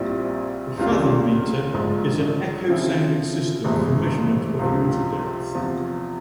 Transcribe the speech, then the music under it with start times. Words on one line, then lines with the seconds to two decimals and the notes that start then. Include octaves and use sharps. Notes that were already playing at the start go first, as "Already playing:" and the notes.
The fathometer is an echo sounding system for measurement of water depth.
Already playing: A#1 A#2 G3 C4 E4
0.78 C#2 C#3 G3 C4 F4
1.73 A#1 G#2 F3 G#3
2.68 C#3 F3 C4 E4
3.64 G1 F2 C3 E3 G#3
4.59 C#2 C3 F3
5.55 E2 C3 F3